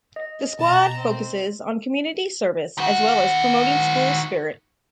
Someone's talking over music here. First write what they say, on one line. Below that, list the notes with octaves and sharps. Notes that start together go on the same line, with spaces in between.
The squad focuses on community service as well as promoting school spirit.
D#5
B2 A5 A#5
C4
D#3 F#4